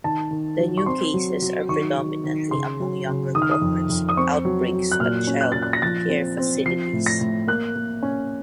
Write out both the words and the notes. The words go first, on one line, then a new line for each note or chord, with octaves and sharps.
The new cases are predominantly among younger cohorts and outbreaks at child care facilities.
D#3 A5
D#3
F#3
C#6
C4 C6
F#3
F#3
D#3 C#6
D#3
D#3
C#3 C6
F#3
C#3
D#3 D#6
F6
D#6
F2
F2
D#6
C4 C#6
F#3
F#3
F#6
A#2 F6
C#4
F#6
A#2 A6
F#6
A#6
F3 A6
C4
C4
F3 C7
A2
A#6
A2
A#3 F#6
A#3
C#4